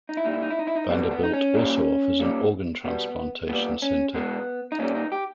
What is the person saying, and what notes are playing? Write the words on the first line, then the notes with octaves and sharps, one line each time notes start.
Vanderbilt also offers an organ transplantation center.
D#4
E4
A#2 G3 D#4
E4
D#4
E4
D#4
E4
D#4
B2 G3 B3
B3
D#4
C#4
A#2 G3
A#2 G3
B2 G3 B3
A#2 G3 B3
C#4
B2 G#3 B3
D#4
A#2 G3 C#4
D#4
G4